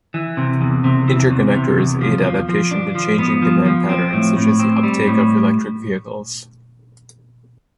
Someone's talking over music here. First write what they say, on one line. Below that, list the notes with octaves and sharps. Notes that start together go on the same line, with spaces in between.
Interconnectors aid adaptation to changing demand patterns such as the uptake of electric vehicles.
E3
C3
E2
C3
E3
E2
C3
E2
F3
F3
F3
D4
F3
B3
F3
F3
C4
A2
A2
C4
G3
A2